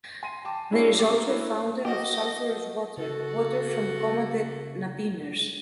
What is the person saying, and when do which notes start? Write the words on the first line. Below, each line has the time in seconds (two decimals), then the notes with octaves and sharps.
There is also a fountain of sulfurous water, water from Coma de Nabiners.
0.23 G#5 C6 C7 D#7
0.45 G5 A5 D6
0.71 C#4 D4 E4 G4 G#4
0.95 G4 D6
1.16 A#4
1.29 B3 E4 F#4 C#5
1.85 F#4 G4 D#5
2.97 C#3 F#4 A4